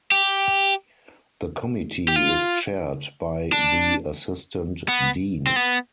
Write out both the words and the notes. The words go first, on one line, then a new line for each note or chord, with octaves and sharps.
The committee is chaired by the Assistant Dean.
G4
G4
F4
D4
B3
C4
B3